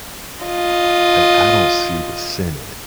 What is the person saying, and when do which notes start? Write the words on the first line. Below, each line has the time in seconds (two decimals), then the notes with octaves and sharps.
a I don't see the sin in it.
0.45 F4 D#5